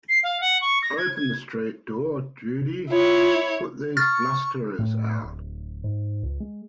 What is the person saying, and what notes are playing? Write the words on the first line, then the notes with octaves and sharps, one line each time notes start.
Open the street door, Judy; put these blusterers out!
C7
F5
F#5
C#6
A#6
G#6
G#6
E4 F4 C#5
C#6 F6 A6
A2
D1
G#2
C#2
G#3